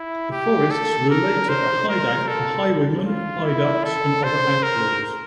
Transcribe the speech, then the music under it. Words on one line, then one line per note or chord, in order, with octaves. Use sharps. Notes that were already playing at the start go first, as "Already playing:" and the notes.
The forests were later a hideout for highwaymen, haiducs and other outlaws.
Already playing: E4
G4
A4
A#4
C5
A#4
A4
F4
E4
A4
C5
A#4